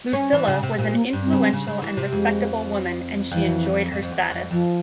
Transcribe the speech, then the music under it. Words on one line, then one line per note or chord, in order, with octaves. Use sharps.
Lucilla was an influential and respectable woman and she enjoyed her status.
C#4
E3
C#3
C3
A#2
A#3
G2
C4
C#3
C#3
C#3
E3
C3
F2 G#3
F2 E3
F2
F2
E2
F2
F2 F3